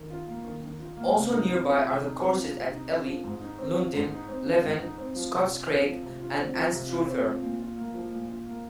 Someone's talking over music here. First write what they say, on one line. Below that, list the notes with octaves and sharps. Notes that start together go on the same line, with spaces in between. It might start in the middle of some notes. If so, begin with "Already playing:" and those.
Also nearby are the courses at Elie, Lundin, Leven, Scotscraig and Anstruther.
Already playing: D#3
F4
A#3
D#3
D#3
F4
A#3
C3
D#4
C4
F3
C3
D#4
C4
F3
C3
D#4
C4
F3
G#2
D#4
C4
F3
G#2
D#4
C4
F3
G#2
D#4
C4
F3
C3
F4
C4
F3
C3
F4
C4
F3
C3
F4
C4
F3
A#2
F4
A#3
F3
A#2
F4
A#3